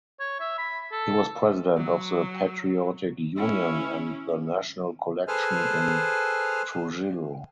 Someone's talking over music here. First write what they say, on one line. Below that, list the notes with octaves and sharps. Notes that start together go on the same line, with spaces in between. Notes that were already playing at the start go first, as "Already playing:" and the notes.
He was president of the Patriotic Union and the National Collection in Trujillo.
C#5
E5
B5
A4
F#3
C#4 E4
G#4 A4 B4 C5 G#5 F6